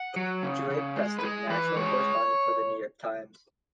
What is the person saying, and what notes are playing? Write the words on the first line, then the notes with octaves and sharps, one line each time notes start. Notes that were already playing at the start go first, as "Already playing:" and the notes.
Julia Preston, national correspondent for The New York Times.
Already playing: F#5
F#3
C#3
C#3
G#3
B4
G#3 G#4
E3 B4
G#3 C#5